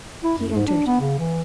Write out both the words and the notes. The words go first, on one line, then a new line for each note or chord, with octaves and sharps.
He entered.
E4
F#2
G#2
D4
B3
C#3
E3